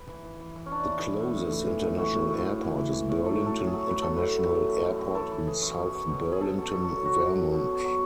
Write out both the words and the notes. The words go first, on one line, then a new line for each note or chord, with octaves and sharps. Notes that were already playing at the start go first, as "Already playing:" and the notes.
The closest international airport is Burlington International Airport in South Burlington, Vermont.
Already playing: B4
E3
E3
E3
E3
C#4
E3 D4
E3
E3
A2
A2
E3
E3
A2
E3 F#4
A2
A2
A2
E3
E3
E3
A2
F#3 A4
A2
A4
A2
G#4
F#3
A2 B4
A2 A4
A2 B4
F#3
E3
F#2
F#2
F#2
E3 A4
E3
E3 G#4
F#2
B2
F#3
B2
B2
G#4
B2 A4
F#3
A4
B2
A4
F#3
F#3 F#4
B2
F#3
B2
B2
F#3